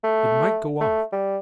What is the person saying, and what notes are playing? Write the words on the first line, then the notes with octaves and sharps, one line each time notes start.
"It might go off!"
A3
A3
G3